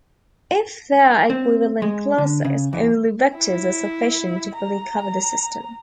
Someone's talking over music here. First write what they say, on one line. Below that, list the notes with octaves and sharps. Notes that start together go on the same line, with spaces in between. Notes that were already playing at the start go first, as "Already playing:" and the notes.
If there are equivalent classes, only vectors are sufficient to fully cover the system.
C4
G#3
D3
C#3
E2
E4
A#5